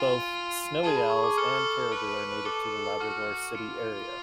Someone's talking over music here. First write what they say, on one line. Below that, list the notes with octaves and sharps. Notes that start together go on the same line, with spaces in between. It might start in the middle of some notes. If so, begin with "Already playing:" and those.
Both snowy owls and caribou are native to the Labrador City area.
Already playing: F4 G#5
G#4 A5
B5
C#6
D6
A4 F6
B4
A4 D6
F#4 F6
F4 C#7